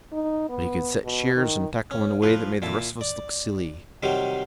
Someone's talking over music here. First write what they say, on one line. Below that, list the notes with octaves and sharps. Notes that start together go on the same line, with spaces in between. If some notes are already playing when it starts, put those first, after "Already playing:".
But he could set sheers and tackle in a way that made the rest of us look silly.
D#4
B3
B2
D#3
C#4
F3 B4
A#2 E4 A5
D5
C3 D#3 F#3 G3 C5